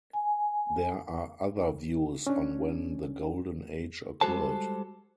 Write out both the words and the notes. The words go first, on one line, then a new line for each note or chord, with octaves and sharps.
There are other views on when the Golden Age occurred.
G#5
C#4 D4
G3 G#3 F#4 A4 C5 A5